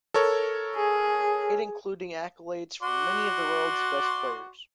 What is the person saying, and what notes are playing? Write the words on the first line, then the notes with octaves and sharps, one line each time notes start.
It including accolades from many of the world's best players.
A4 A#4 C#5
G#4
F#4 D5 C6